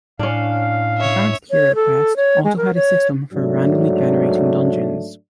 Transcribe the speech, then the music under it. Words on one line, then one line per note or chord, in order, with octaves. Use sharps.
Advanced HeroQuest also had a system for randomly generating dungeons.
A2 C#4 D4 F5
C#5 E5
C#5
A4
C#5
G#3
A#4
C#5
G#2 F#3 A3 D4